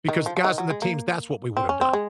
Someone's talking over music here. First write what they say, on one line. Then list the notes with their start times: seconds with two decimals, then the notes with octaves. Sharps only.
because the guys on the teams, that's what we would have done.
0.08 D#3
0.26 F3
0.37 F3
0.44 D#3
0.58 F#3
0.70 G#3
0.82 A#3
1.57 C4
1.69 C#4
1.81 C4
1.93 G#3